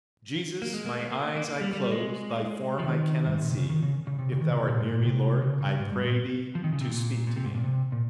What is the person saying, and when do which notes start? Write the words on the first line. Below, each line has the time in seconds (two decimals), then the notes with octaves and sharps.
"Jesus, my eyes I close, Thy form I cannot see; If Thou art near me, Lord, I pray Thee to speak to me."
0.62 A#3
0.74 G#3
0.86 A#3
0.99 A#3
1.11 A#3
1.36 A#3
1.48 A#3
1.61 G3
1.73 G3
1.92 G#3
2.79 F3
2.84 D#3
3.26 G2
3.34 G#2
3.42 A#2
3.50 C3
3.57 C#3
3.70 D#3
3.83 C#3
4.07 C#3
4.19 C3
4.32 C#3
4.41 D#3
4.50 C#3
4.59 C3
4.69 A#2
4.81 G#2
4.93 A#2
5.05 C3
5.42 C#3
5.61 C#3
5.79 G#2
5.92 G2
6.04 A#2
6.55 F3
6.64 D#3
6.73 C#3
6.81 C3
6.90 A#2
7.27 A#2
7.36 C3
7.46 G#2
7.55 A#2
7.64 C3
7.92 A#2